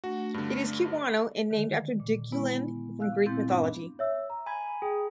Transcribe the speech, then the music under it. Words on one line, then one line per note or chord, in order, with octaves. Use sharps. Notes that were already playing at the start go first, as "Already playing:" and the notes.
It is a cubewano, and named after Deucalion, from Greek mythology.
A3 D4 F#4
G2 D3
D3 D#3 G#3
A#2
G#3 B3 E4
F5 E6 F#6
A#2 G#3 C4 E4 G6 A6
G2 B3 D4
C#5 E5 E6
A#5
G#5 B5 G#6
G#4 G5